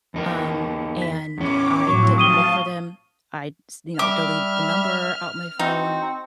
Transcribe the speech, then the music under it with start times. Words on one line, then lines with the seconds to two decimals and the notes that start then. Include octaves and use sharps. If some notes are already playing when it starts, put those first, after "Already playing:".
um, and I didn't look for them, I s you know, deleted the number out my phone;
0.14 E2 D#4 A#4
1.02 B6
1.38 E2 C#4 C#5 D6
1.87 A2 F3 F#3 C4 C#6
2.18 F5 A5 D#6 D#7 G7
3.99 G3 E5 D6 F6
5.59 C4 D#4 F#4